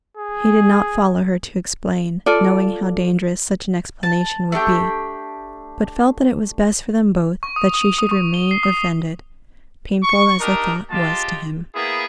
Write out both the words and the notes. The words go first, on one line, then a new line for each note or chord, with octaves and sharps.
He did not follow her to explain, knowing how dangerous such an explanation would be, but felt that it was best for them both that she should remain offended, painful as the thought was to him.
G#4
F4 A4 D5
A5
A3 D4 G4 G5
C#6
D#6
D#6
D#6
C#6
G7
C7
D#6
C#6
D4 D#4 G4 A#4
G#3 F4 G4 A5
A#3 B3 E4 G#4